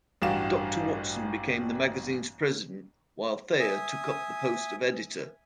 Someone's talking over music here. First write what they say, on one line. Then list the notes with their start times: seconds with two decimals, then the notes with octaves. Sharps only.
Doctor Watson became the magazine's president while Thayer took up the post of editor.
0.22 A1 G2 F#4 G4 F5 E7
3.60 E5 G#5 D#6